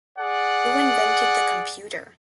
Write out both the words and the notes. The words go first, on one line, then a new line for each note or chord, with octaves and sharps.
Who invented the computer?
G#4 D5 F#5